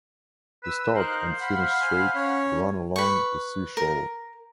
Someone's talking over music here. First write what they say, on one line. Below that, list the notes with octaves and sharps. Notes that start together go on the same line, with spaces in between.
The start and finish straight ran along the sea shore.
B4 E6
D#4 A#4 C5 F5 F#6
F5 F#5 B5 C7
G#5
C#4 C#5
B4 C#6
A#4